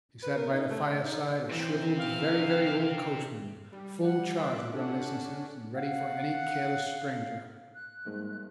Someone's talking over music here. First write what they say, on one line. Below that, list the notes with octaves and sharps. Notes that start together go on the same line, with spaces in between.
He sat by the fireside, a shrivelled, very, very old coachman, full charged with reminiscences, and ready for any careless stranger.
B4
A#4
D#4
A3
A3
D#4
C3 E3 C4
F5
G3
F#5
F4 E5 D6 F#6
C#4 D4 A4 F#5
F5 F#5
F#6
G#2 G3 G#3 A#3